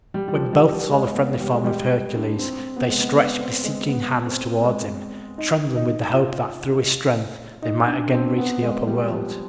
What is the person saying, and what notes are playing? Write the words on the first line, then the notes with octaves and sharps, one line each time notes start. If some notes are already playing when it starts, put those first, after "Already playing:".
When both saw the friendly form of Hercules they stretched beseeching hands towards him, trembling with the hope that through his strength they might again reach the upper world.
G3
G3
F3
G3
G3
G#3
B3
G3
G#3
G3
D4
C4
B3
G#3
B3
B3
C4
G#3
B3
C4
G#3
D#4
D#4
F4
D#4
D4
C4
B3
G#3
G3
F3
G3